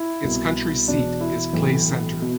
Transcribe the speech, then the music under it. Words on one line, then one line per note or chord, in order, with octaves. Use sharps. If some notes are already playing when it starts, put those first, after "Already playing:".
Its county seat is Clay Center.
Already playing: E4
C2 B2
E1 E2 B2 D4
E4
B1 A2 E3
B2